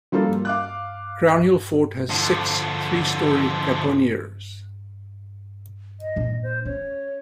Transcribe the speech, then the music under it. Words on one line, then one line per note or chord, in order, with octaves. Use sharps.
Crownhill Fort has six three-storey caponiers.
F3 G3 A#3 F4 A4
F5 D6 F#6
D3 F3
D#5
A#2 D4
C5
C#4 C#5